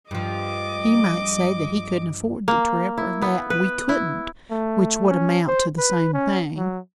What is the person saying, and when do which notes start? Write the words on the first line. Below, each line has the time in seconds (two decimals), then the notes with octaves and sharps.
He might say that he couldn't afford the trip, or that we couldn't, which would amount to the same thing.
0.11 G2 F3 D#5 D6
2.48 A#3
2.98 E4
3.22 B3
3.50 B4
3.89 E4
4.50 A3
5.10 C#4
5.48 C5
5.78 B4
6.13 C#4
6.57 F#3